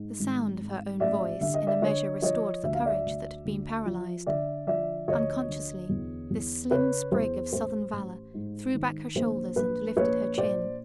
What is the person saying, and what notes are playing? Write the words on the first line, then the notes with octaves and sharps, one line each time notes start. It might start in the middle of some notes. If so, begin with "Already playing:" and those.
The sound of her own voice in a measure restored the courage that had been paralyzed. Unconsciously this slim sprig of southern valor threw back her shoulders and lifted her chin.
Already playing: G#2
G#1
G#2
A1 D5 E5
D3 E5
D#5
D5 E5
D3 C#5 D#5
F3 C#5 D#5
D2 E5
F5
D5 E5
D2
D2
F3
D3 D5 E5
F3 D5 E5
D2 C#5 D#5
D3
E2
E2
C#3 B4 C#5
E2 C5
A1 C5
A1
G#2
D#3
A#1 C5
A#1 B4
A#1 B4 C#5
A#2 C5 D5